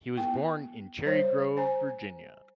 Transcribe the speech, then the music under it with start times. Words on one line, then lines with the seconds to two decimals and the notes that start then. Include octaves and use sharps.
He was born in Cherry Grove, Virginia.
0.17 B3 E4 G5
1.06 G3 C5 C#5
1.57 C5 G#5 A#5